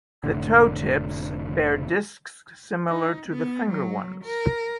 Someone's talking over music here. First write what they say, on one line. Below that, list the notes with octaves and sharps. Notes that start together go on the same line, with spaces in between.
The toe tips bear discs similar to the finger ones.
F1 A2 D3
D#4
B3
F#3
A#4